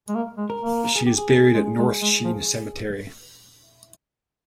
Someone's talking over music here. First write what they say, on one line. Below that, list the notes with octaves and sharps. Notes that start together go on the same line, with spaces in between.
She is buried at North Sheen Cemetery.
G#3
A#3
G#3
A#4
A#3
A#4
G#4
G4
G#4
G#3
G#3
G#3
F3